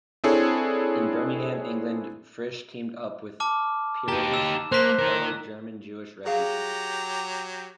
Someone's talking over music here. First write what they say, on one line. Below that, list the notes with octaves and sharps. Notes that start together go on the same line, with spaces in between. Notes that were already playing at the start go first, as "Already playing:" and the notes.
In Birmingham, England, Frisch teamed up with Peierls, a fellow German-Jewish refugee.
C4 D4 E4 G#4 A4 C#5
A5 D6 F6
D#4 G4 A#5
E6 E7
A#3 C5 F#6 B6
D#4 A#4
F#3 G4 G#4 F5 A#5